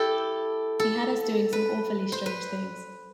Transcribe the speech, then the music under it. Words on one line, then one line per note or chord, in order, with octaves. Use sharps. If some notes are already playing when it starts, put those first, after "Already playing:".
He had us doing some awfully strange things.
Already playing: E4 G4 A4
A4
B4
C5
B4